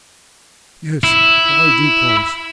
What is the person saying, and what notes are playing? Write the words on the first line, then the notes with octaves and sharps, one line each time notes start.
Yes, I do promise.
E4